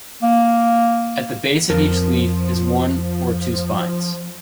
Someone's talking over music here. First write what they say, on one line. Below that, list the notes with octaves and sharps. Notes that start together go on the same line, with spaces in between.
At the base of each leaf is one or two spines.
A#3
F2 F3 A#4 A5